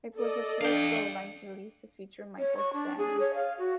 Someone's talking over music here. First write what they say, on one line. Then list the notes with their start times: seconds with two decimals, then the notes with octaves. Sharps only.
It was the first full-length release to feature Mikael Stanne.
0.17 A4 D5 D#5
0.61 D4 F5 G5
2.39 C#5
2.57 C#6
2.73 D4
2.98 G#4
3.20 C#5
3.34 F5
3.59 F#4